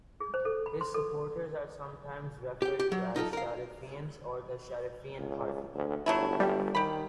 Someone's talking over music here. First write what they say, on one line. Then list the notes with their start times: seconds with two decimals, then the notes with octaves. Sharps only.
His supporters are sometimes referred to as "Sharifians" or the "Sharifian party".
0.20 G#4
0.34 C5
0.45 A4
0.66 B5
0.81 C6
0.94 A4
2.62 G4 G5
2.80 G4
2.92 F#3
3.16 D#4 F4 G4 A4
3.33 A#4 F5
5.19 C#2
5.74 D2
6.06 G1 F#3 A3 E4
6.40 G3
6.75 D#3 G4 B5